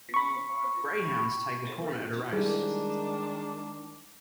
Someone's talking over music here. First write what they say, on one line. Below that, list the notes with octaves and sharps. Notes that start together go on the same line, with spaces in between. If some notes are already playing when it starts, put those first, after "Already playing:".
Greyhounds take a corner at a race.
B5 C#6
D#3 G3 G#3 D4 E4 G#4